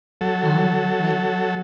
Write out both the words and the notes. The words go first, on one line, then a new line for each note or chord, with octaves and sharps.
Oh, right.
F#3 A4